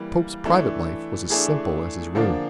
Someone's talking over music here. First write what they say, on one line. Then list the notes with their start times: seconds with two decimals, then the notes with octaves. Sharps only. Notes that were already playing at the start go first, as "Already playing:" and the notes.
The Pope's private life was as simple as His room.
Already playing: E3 G3 A#3
0.45 E3 A3 D4
1.30 E3 A3 D4 G#4
2.15 D3 F3 A#3 D4